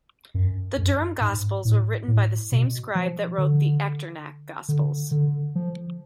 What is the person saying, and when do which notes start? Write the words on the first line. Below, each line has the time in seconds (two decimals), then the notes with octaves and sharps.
The Durham Gospels were written by the same scribe that wrote the Echternach Gospels.
0.34 F#2
0.78 F#2
1.21 G#2
1.65 A2
2.08 A2
2.52 B2
2.95 F3
3.38 D3
4.69 D3
5.11 D3
5.55 F3